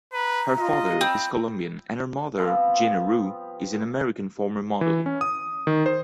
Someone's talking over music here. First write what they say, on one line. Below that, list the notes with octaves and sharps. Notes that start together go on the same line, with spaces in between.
Her father is Colombian and her mother, Gina Rue, is an American former model.
B4 A#5
F4 D#5
C4 B5
F3 G3 B3 C4
E3
C#4
D#6
D#3
C5